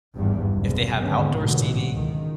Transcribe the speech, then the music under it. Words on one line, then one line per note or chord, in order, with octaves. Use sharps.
If they have outdoor seating
G#1 E2 G2
F#1 B1 E2 C3
G#1 D#2 D3 G#3 B3 C#4
A1 G#2 B2 D3 E3 F#3
C#2 D#3